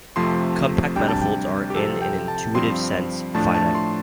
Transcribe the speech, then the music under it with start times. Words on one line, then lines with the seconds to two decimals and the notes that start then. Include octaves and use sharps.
Compact manifolds are, in an intuitive sense, "finite".
0.16 F2 C3 F3 A3 C6
0.96 D2 C3 G3 D4 G5
1.08 A5
1.22 G5
1.70 G4
1.75 C2 C3 F3 C4 A4
2.02 G5
2.28 A5
2.55 G2 F3 C4 C6
3.35 A2 F3 A3 D4 A5
3.54 A5
3.75 C6